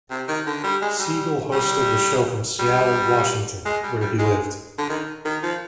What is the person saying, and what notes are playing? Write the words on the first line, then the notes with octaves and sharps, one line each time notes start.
Siegel hosted the show from Seattle, Washington, where he lived.
C3
D#3
D3
G3
G#3
G3
G3
G3
G#3
G3
G3
G#3
D3
D#3
D#3
F3